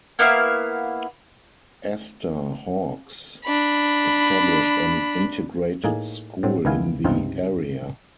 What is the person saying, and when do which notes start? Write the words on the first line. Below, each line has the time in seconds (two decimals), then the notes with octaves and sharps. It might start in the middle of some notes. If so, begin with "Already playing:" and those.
Esther Hawks established an integrated school in the area.
0.19 A#3 B3 E4 F5
3.45 D4 B5
5.84 A2 A#3 D#4 G#4
6.43 A2 F#3 C4
6.65 C#2 D#3 B3 E4 F5 G#5
7.04 C#2 G2 C3 C4 D#4 F4